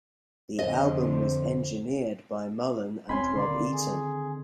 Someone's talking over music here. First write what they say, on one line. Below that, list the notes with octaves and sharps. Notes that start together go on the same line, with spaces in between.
The album was engineered by Mullen and Rob Eaton.
F2 D3 C5 D#5
D#1 C4 C#4 G#5 B5 C6
D3 D#3 A#3 C4 D5 C6
G#4